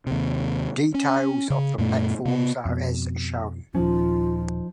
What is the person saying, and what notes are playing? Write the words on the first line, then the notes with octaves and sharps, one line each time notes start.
Details of the platforms are as shown.
D#2 C3
C#4
C#3
F#2 A#2 A3
C3 B3
F2 B2
D#1 F3 C#4 D#4 F4